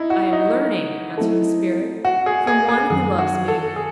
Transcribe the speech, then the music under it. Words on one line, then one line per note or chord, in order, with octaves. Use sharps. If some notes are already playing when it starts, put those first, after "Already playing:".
"I am learning," answered the spirit, "from one who loves me."
Already playing: D#4 E4
F#4
D#4
F#3 A3 C4 E4 A4
F#4
G#4
G#4
G#4
F#2 D#3 F#3 G#4
F#4
A4
G#4